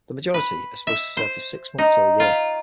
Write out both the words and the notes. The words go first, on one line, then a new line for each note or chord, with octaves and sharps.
The majority are supposed to serve for six months or a year.
B4
E5
C5
D#4
F4